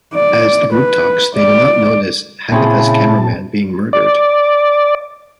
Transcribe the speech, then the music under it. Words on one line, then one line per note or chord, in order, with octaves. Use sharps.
As the group talks, they do not notice Hagitha's cameraman being murdered.
D5
B4
D5
A#2 C#3 C4 C#4 E4 G#4 A5
D5